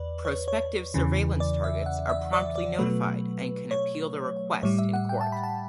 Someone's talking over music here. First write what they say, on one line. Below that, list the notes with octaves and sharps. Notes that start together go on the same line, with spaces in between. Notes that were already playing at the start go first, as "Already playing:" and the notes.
Prospective surveillance targets are promptly notified and can appeal the request in court.
Already playing: E2 B4 D5
C#5
C#5
E2 C#3 E3
D5
E5
F#5
E5
D5
D5
B2 F#3 A3 B4
C#5
A2 G3 C#5
E5
F#5
G5
A5
B5
A5